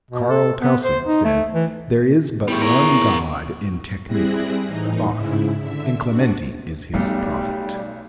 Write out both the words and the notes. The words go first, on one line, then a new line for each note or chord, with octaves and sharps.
Carl Tausig said: "There is but one god in technique, Bach, and Clementi is his prophet."
B2
A4
B3
C5
D#4
A3
E3
E2 G3 A3
A#4 C#5
G3 C4 E4 G#4 F#6 A#6
A2 E3 D#4
G#2 C#3 E4
D3 E5
D4 F#4
B1 G3 A3